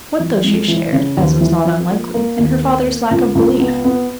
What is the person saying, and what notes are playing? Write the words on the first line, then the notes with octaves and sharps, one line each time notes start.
What though she shared--as was not unlikely--in her father's lack of belief?
E3
G#3
E3
C#3
D#2
E3
F3
A#3
A#3
D#2
A#3
A#3
C#2
C#2
B3
B3